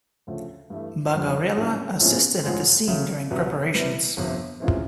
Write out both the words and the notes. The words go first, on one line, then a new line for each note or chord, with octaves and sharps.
Bagarella assisted at the scene during preparations.
D2 C#3 F3 A3
G2 E3 A3
F2 D3 G3
A#1 A2 F#3 A#3 C#4
A#1 A2 F3 G#3 C#4
A1 G#2 F3 G#3
C#3 F#3 A3
C2 B2 F#3 B3
C3 E3 G3 B3
G1 F2 C3
C3 E3 G#3 C#4 F4